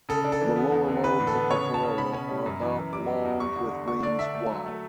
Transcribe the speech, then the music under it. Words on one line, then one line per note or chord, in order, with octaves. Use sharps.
The lower lobes of the corolla are about long with wings wide.
C#3 A4
D4
A4
E3
B3
E2
D3
E3 B4
A2
A4
B3
C#3 C#5
C#3
A5
C#3
B2 B5
C#4
G3
F#2
E3
F#2
G3 D6
G3
E2
G3 C#6
D3
D3
A3 C#6
D3 D5
D4 E5
A3
F#3
A3